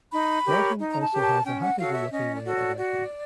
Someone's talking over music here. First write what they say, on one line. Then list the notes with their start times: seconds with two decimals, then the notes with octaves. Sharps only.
Martin also has a happy-go-lucky way about him.
0.12 D#4 B5
0.45 G4 A#4 C#5
0.79 D#4
0.90 A#5
1.01 A5
1.12 G4 A#4 C#5
1.22 A5
1.45 C#4 G5
1.61 F#5
1.78 F#4 A4 C#5 F5
1.95 E5
2.11 C#4 D#5
2.34 D5
2.45 F#4 A4 C#5
2.55 D5
2.78 F#4